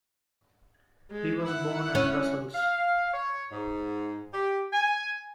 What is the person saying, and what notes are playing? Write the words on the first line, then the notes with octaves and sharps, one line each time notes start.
He was born at Brussels.
G#3
E4 F#5
C#4
F5
C#5
G#2
G4
G#5